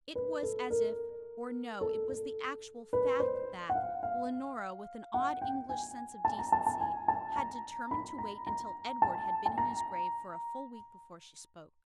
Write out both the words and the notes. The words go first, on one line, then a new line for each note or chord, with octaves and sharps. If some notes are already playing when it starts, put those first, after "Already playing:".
It was as if--or no, it was the actual fact that--Leonora with an odd English sense of decency had determined to wait until Edward had been in his grave for a full week before she spoke.
B4
A4
A#4
A4
A4
B4
C5
F#5
F5
F5
F#5
G5
G#5
A5
A#5
A5
A5
G#5
A5
A#5
B5
A#5
A#5
A5
A5
A#5